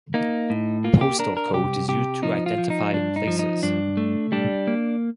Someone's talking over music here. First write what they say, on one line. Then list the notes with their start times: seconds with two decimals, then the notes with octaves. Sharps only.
Postal code is used to identify places.
0.14 A#3 D#4
0.50 A2
0.84 A#3 F4
1.01 G4
1.19 D4 A#4
1.37 A#4
1.53 C2 G4
1.88 C3 G4
2.23 F3 D#4
2.46 F4
2.58 F3
2.70 D#4
2.93 G2 D4
3.16 D#4
3.28 F3
3.39 D#4
3.63 G2 D4
3.97 A3
4.32 G3 D4
4.67 A#3